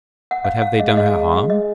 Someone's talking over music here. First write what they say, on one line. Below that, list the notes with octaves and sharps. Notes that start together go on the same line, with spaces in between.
But have they done her harm?
F#5
F5
F5
G#3 D#5
F5
D#5
F5
D#5